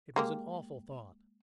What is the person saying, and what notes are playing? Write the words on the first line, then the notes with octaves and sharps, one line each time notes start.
It was an awful thought!
G#3 A#3 G4